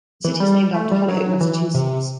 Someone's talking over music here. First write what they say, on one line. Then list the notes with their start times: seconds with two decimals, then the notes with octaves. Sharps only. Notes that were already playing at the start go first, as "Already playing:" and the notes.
The city is named after Holyoke, Massachusetts.
0.24 E3
0.40 G3
0.74 A3
0.92 G3
1.08 F#3
1.41 E3
1.74 C3